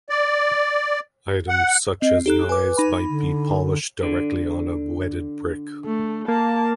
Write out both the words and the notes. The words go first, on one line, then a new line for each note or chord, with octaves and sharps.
Items such as knives might be polished directly on a wetted brick.
D5
F#5
C4 D#5
D#4 G4 A4 F#6
B4 G#5 D6
D#4 B5
D3
D3
A3
A#3 A5